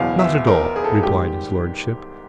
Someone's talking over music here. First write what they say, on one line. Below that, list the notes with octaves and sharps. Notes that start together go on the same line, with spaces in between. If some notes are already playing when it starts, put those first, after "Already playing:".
"Not at all," replied his lordship.
Already playing: F#1 E2 B2 F5
E5
A#4
G#4
A4
G#4
G#2 D#3 G3 G4